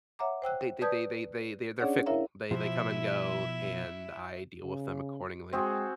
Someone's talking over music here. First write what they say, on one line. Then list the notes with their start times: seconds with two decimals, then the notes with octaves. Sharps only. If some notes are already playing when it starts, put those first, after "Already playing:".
They they they they they they they're fickle. They they come and go, and I deal with them accordingly.
0.19 C#5 E5 F#5 A#5 D6
0.42 C5 G5 E6 F#6
0.81 B4 D5 A5 D#6 G6 G#6
1.80 C#4 D4 G#4 C#5 D5 F#5
2.06 E4 A#4 C#5 E5 F5 A#5
2.51 B2 F3 E4 E5
4.63 C#3
5.53 G#3 C4 F#4 G#4